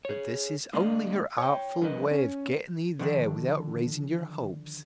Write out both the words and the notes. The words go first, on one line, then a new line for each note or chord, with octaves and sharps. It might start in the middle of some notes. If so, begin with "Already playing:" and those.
But this is only her artful way of getting 'ee there without raising your hopes.
G#4 C#5
D3 G#3 A#3 D5 D#5 F5
C#5 G5
G2 D3 F3 A#4 B4 D#5
C#4 C#5
D3 D#3 F3 D4